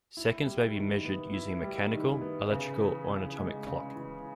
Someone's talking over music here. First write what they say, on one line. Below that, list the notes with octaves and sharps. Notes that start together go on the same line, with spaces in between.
Seconds may be measured using a mechanical, electrical or an atomic clock.
E4
G3
D#3
B3
E4
G3
D#3
B3
C#3
E3
C#3
G#3
C#3
E3